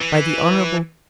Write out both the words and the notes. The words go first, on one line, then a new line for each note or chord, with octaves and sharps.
By the Hon.
E3